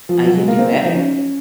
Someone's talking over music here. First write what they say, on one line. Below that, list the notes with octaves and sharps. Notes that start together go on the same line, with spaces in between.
I can do better,
F3
F#3
G#3
A#3
C4
D#4
C#4